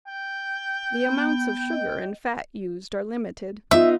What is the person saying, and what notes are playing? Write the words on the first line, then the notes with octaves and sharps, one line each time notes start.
The amounts of sugar and fat used are limited.
G5
B3
D#5
B3 D#4 F4 E5